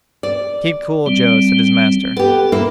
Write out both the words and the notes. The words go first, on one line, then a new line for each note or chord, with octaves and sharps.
"Keep cool, Joe," said his master.
D5
G3 C4
B3 G4 A4
A#3 E4